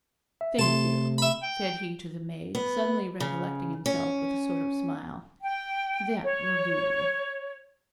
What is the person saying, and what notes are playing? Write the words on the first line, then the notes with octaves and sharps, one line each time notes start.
'Thank you,' said he to the maid, suddenly recollecting himself, with a sort of smile; 'that will do.
E5
C3 A3 A5 C6
E5 B5
G5
B3
C#3
C#4
G5
C#5